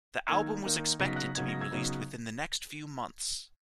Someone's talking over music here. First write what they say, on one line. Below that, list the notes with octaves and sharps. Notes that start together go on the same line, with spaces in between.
The album was expected to be released within the next few months.
D#3 A#3 D#4 E6 G#6
D#3 A#3 D#4
C#3 F#3 B3 D#4 A#6
B6
F#6 A#6
C#3 F#3 B3 D#4 G#6
A#6
E6 G#6
C#3 F#3 B3 D#4